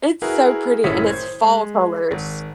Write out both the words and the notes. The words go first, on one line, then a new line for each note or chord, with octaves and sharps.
it's so pretty and it's fall colors.
E4 F#4 G#4 A#4 B4
F#1 A2 E4 C#5 D#6 B6
C5 G#6
G#3
G#1